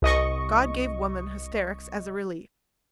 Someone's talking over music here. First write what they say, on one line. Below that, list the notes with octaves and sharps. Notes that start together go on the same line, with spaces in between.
God gave woman hysterics as a relief.
C2 D#5 C#6